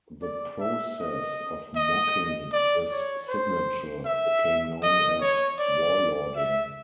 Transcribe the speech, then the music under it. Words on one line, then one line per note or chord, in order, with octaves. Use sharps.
The process of mocking this signature became known as warlording.
D5
E5
D#5
D#5
D5
C#5
C5
E5
D#5
C#5
D5
E5